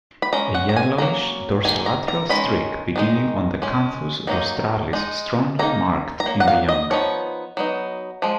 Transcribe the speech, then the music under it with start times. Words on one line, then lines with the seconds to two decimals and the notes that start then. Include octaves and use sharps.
A yellowish dorsolateral streak beginning on the "canthus rostralis" strongly marked in the young.
0.22 B5
0.33 G#3 C#4 A#5
0.55 F#5
0.69 A#5
0.76 G#5
0.98 F#3 A#3 C#4 A#5
1.64 D#3 A#3 D#4 G#5
1.86 A#5
2.08 A#5
2.29 D#3 G#3 C#4 B5
2.96 D#3 G#3 D#4
3.62 G#3 C#4
4.27 D#3 F#3 A#3 D#4
4.93 G#3 D#4
5.59 F#3 A#3 D#4 A#5
6.20 A#5
6.26 F#3 A#3
6.40 F#5
6.48 F5
6.69 D#5
6.91 F3 B3 D#4 C#5
7.57 F#3 B3 D#4
8.22 F3 G#3